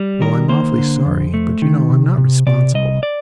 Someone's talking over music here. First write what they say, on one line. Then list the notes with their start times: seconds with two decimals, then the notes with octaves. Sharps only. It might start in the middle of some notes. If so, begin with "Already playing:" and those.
Well, I'm awfully sorry, but you know I'm not responsible.
Already playing: G3
0.21 D#3 A#4
0.49 A#3 C5
0.78 D3
1.06 F2
1.34 A3
1.62 D#3
1.90 C3
2.17 C3
2.46 C3 D5
2.74 C2 D#5
3.03 D5